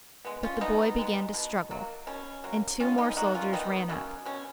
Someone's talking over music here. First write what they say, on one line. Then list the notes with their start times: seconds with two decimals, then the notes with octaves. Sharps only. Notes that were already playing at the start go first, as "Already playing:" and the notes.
But the boy began to struggle, and two more soldiers ran up.
0.25 G#3 B3
0.43 C#4 F4
0.61 B2 B3 D#4
0.98 G#3 B3
1.34 B2
1.71 F#3 A#3
2.07 B2 C#4
2.44 F#3 A#3
2.80 D#3 C#4 F4
2.98 B3 D#4
3.17 F#3 A#3 D#4 F#4
3.34 C#4 F4
3.53 D#3 B3 D#4
3.89 F#3 A#3 C#4
4.26 B2 C#4